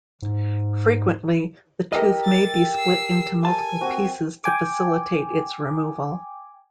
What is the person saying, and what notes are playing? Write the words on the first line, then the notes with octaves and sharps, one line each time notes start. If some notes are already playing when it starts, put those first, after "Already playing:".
Frequently, the tooth may be split into multiple pieces to facilitate its removal.
G#2
G4 A4 A#4 D#5
A6
E6 C7
G#5 A5
C4 F#4
G5 G#5 D6